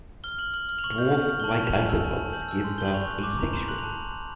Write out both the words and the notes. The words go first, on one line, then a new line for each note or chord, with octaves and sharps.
Dwarf white isopods give birth asexually.
F6 G7
F6 F#7
F6 F#7
F6
F7
C#6 F#7
G6
F6
F6
G7
A5 F#7
A5
F7
G#5 F#7
E6
A5
A5
G6 F#7
E6
C6
G6 G7
F#7
C#6 F7
F#6
D6
A#5 F7
C6 E7
F#6 F#7
F7
A5